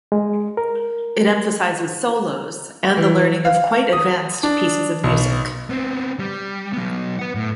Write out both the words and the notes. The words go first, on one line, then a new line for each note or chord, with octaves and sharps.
It emphasizes solos, and the learning of quite advanced pieces of music.
G#3
A#4
E3
F5
D#6
D4
B1
B3 C4
G3
F#3 B3
B4 F#5
A2